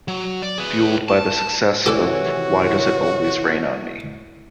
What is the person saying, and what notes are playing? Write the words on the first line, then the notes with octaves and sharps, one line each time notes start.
Fueled by the success of Why Does It Always Rain on Me?
F#3
D5
G#4 B4
A5
C3 D#3 E3 F#4 G4 A4 C#5 D5